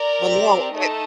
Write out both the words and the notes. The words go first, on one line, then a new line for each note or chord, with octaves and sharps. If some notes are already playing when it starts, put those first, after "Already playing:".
Well, no, it
Already playing: A#4 D5
C4 G4
A3 D#4 A4 D#5